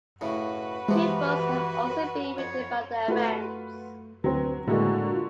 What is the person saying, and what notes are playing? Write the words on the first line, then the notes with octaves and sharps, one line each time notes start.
Two books have also been written about the events.
A2 C#3 F#4 B4
C3 E3 F3 G#3
F2 C#5
A3 F4 F#4 B4
D2 F#3 C4 B4
A2 D3 G#3 A#3 D4 F#4
F4